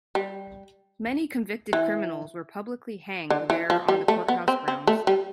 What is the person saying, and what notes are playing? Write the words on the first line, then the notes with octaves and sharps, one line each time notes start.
Many convicted criminals were publicly hanged there on the courthouse grounds.
G3
E3
D3
E3
F3
G3
A3
B3
C4
C4
A3
G3